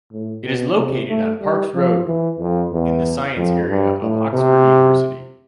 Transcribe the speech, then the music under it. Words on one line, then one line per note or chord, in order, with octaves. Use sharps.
It is located on Parks Road in the Science Area of Oxford University.
A2
B2
C3
A3
G3
F3
E3
F2
E2
F2
G2
A2
C3